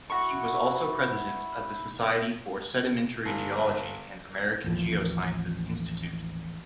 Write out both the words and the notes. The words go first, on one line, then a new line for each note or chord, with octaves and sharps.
He was also president of the Society for Sedimentary Geology and American Geosciences Institute.
E4 F#4 C#6
G1
A1 D#2 F3